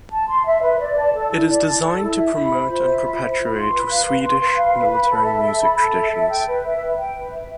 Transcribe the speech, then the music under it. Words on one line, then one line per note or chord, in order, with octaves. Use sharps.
It is designed to promote and perpetuate Swedish military music traditions.
A5
C6
E5
B4
D5
A5
A4
E4
D5
A5
A4
E4
E5
B5
C5
F4
E5
B5
C5
F4
C6
B4
F5
B4
C6
B4
F5
B4
B5
A4
E5
A4
B5
A4
E5
A4
G5
B4
E5
B4
G5
B4
E5